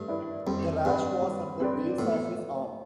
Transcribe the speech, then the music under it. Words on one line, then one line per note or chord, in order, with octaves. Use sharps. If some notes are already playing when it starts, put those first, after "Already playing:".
The rash was at the base of his arm.
Already playing: G2 A3
E4 B4 D5
F2 G3
G2 C4 G4 B4 D5
G3
C4 G4 B4 D5
A2 B3